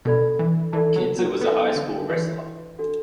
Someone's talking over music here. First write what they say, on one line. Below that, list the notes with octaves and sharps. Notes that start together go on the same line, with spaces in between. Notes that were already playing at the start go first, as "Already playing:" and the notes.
Kinser was a high school wrestler.
B2 D4 A4 D5 B5
E3
E3 A4 D5 A5
F#3
F#3
B3 E4 A4 E5
D3
E3 D4 F#4 B4 D5
D4 F#4 A4 F#5